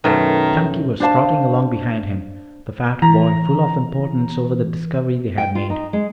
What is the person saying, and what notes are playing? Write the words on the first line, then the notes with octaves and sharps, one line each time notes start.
Chunky was trotting along behind him, the fat boy full of importance over the discovery they had made.
F#2 B2 D#3 A3
D4 C5 F5 A5
E3 A#5
G5
F4
D#4
G#3